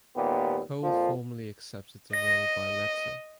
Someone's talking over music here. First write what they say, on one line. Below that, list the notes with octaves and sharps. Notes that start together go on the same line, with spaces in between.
Cole formally accepted the role by letter.
G#1 D#2 A#2 B3 G4
F2 A#2 F3
D#5 A#6